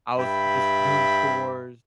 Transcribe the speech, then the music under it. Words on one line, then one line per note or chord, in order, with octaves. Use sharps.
I was just doing chores
G2 E5 G5 B5